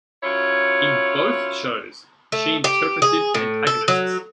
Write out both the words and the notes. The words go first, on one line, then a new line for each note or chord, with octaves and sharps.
In both shows she interpreted antagonists.
F#2 E4 F4 C#5
A3
G4
G#4
A2
A4
F#3